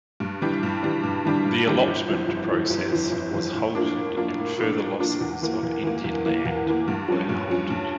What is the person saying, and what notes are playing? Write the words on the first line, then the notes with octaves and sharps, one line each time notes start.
The allotment process was halted and further losses of Indian land were halted.
G2
E3 G3 D4
G2
E3 G3 D4
G2
E3 G3 D4
G2
E3 G3 D4
G1
F2 E3
G1
F2 E3
G1
F2 E3
G1
F2 E3
A2
F3 A#3 D4
A2
F3 A#3 D4
A2
F3 A#3 D4
A2
F3 A#3 D4
E2
E3 A#3
E2
E3 A#3
E2
E3 A#3
E2
E3 A#3
G2
F3 C#4
G2
F3 C#4
G2